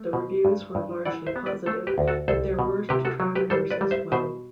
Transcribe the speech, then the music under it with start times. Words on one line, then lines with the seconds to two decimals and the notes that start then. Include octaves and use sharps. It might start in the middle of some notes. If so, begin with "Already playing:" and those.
The reviews were largely positive, but there were detractors as well.
Already playing: A3
0.13 B2
0.45 G2
0.75 G2
1.05 E3 D5 F#5
1.26 C5 E5
1.36 B3
1.46 B4 D5
1.66 A3 A4 C5
1.87 G4 B4
1.98 D2
2.08 F#4 A4
2.28 C2 A4 C5
2.59 B2
2.89 C3 G4 B4
3.05 F#4 A4
3.20 F#3
3.35 G4 B4
3.50 G3 A4 C5
3.71 B4 D5
3.81 G3
3.91 C5 E5
4.12 B2 C5 E5